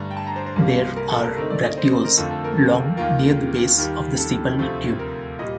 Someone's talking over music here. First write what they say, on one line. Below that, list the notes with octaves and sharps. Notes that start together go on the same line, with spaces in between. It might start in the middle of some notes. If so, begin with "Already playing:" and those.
There are bracteoles long near the base of the sepal tube.
Already playing: G2 D3 A3 D4 A#5
G5
A5
A#5
C5
C5
C2 C3 G3 A#3
A#4
A4
A#4
D3 A3 C4 D#4 A#4
D5
D#5
C5
C5
A#4
F2 D3 F3 A3 A4
A4
A#4
A4
D#2 D#3 A#3 F4 A#4
D#2 D#3 G3
A4
D2 C3 F3 A3 C4
A#4
A#2 G3 D#5